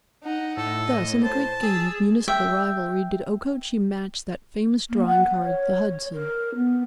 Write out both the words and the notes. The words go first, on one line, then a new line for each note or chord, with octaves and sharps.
Thus in the great game of municipal rivalry did Okochee match that famous drawing card, the Hudson.
D#4 F#5
A2 A4
D#5
C5 A5
G#4 E6
E5 G5
A#3
F#5
C#5
A#4
B3